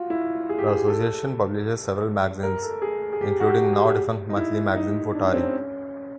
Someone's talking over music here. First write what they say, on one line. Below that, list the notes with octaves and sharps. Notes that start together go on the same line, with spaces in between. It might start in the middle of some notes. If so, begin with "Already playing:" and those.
The association publishes several magazines, including now-defunct monthly magazine "Futari".
Already playing: F4 F#4
E4
G#4
G4
G#4
A4
A#4
A4
G#4
G#4
G4
F#4
G4
G#4
D#4
E4
D#4
D4
C#4
C4
C#4